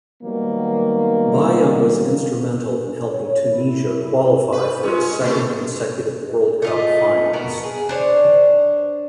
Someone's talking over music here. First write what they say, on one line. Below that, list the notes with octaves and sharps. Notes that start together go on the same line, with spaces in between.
Baya was instrumental in helping Tunisia qualify for its second consecutive World Cup finals.
D#3 F#3 G3 A#3 B3
C#5
E4
B4 C5
G#3 C#4 F4
C3 A3 A#3 G4
A3 F4 D#5
B2 B3 F#4 A#4
G#4
D4 C5 C#5